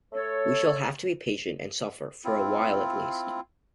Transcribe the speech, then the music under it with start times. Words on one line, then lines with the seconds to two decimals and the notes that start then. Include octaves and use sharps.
We shall have to be patient, and suffer for awhile at least.
0.12 A3 A4 C#5
2.25 C4 E4 F4